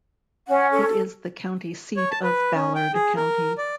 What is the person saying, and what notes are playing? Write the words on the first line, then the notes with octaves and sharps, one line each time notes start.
It is the county seat of Ballard County.
C#4 F#5
A4
C#5
A5
B4
C#4
G5
G#4
A#4
D5